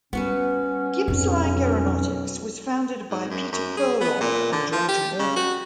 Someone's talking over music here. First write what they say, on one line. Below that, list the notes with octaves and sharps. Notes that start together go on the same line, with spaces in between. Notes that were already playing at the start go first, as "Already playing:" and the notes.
Gippsland Aeronautics was founded by Peter Furlong and George Morgan.
G3 B3 C#4 F#4 B4
B1 F2 C4
G#2
F#2
F#2
G#4
B3
A#2
D3
F3
G4
C#3
F#4